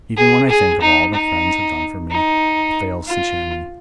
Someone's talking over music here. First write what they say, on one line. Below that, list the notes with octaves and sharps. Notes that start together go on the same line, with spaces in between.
Even when I think of all that friends have done for me, it fails to cheer me.
G#4
G#4
D#4
D#4
D#4
F4